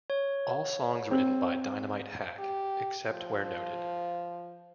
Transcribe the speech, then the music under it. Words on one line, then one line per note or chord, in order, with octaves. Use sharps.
All songs written by Dynamite Hack, except where noted.
C#5
C4
G4
F3